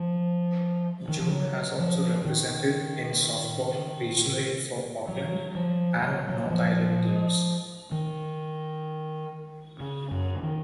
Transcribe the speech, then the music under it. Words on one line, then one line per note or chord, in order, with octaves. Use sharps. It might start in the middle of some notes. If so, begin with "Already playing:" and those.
June has also represented in softball regionally for Auckland and North Island teams.
Already playing: F3
D#3
F3
F#3
F3
D#3
F#3
F3
F#3
F#3
F3
D#3
C#3
F#2
C#3
D#3